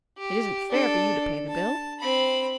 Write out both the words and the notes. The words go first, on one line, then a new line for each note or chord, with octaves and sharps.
It isn't fair for you to pay the bill.
G4
D4 A4
A5
C4 B5